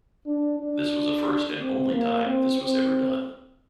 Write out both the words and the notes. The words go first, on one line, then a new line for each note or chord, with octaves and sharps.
This was a first and only time this was ever done.
D4
D4
C4
A#3
C4
C4